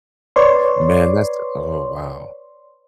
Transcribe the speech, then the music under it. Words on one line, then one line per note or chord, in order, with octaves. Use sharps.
Man, that's oh, wow.
B4 C#5 D5 C6